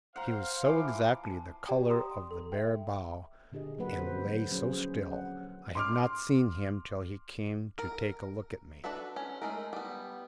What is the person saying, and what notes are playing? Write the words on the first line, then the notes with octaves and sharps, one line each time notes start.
He was so exactly the colour of the bare bough, and lay so still, I had not seen him till he came to take a look at me.
C5 F5 F#5 A#5
E3 F3 D6
A5
G4 D5 G5
A#5 C6 D#6
A4
E5 G5
A#2 D3 D4 G4 G#4 D#5
F#3 A#3 B4 F#5
F3 C4 A4 C5
F#3 C#4 G#4 C5
F#5
C6 D6 F6
A#4
D4 F#4 A4 B4 E5
C#4
G#3 A3 A#4
G3 B3